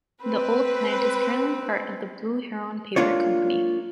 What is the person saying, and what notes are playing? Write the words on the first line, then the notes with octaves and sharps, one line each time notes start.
The old plant is currently part of the Blue Heron Paper Company.
C4 B4
A#3 D4 F4 C#5